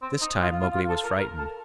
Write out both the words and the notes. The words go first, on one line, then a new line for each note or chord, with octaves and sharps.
This time Mowgli was frightened.
C4
D#4
F4
F4
F4
A4
A#4
A#4
A4